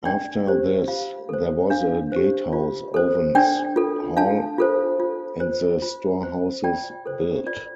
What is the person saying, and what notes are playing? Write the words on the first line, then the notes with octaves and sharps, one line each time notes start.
After this there was a gatehouse, ovens, hall and the storehouses built.
D4 D5 G5
G4 C5
F4 F5
A4 C5
D4 F5
G4 C5
F4
A4 C5
D4 D5 G5
F4 A4
D4 F5 A5
F4 A4 C5
F4
C5
F4
C5
F4 D5 G5
A4 C5
F4 D5